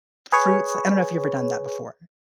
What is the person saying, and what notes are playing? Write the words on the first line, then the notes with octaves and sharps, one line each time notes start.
fruits li I don't know if you've ever done that before.
G#4 B4 C#5